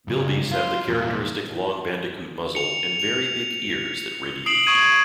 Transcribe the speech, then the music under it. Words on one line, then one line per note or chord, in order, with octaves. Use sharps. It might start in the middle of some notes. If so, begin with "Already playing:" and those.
Bilbies have the characteristic long bandicoot muzzle and very big ears that radiate heat.
F#2 C#3
F4
E2 A#2
C#7 F7
F7
D#6 C7 D7 E7 F#7
C#6 D#6 G#6 D#7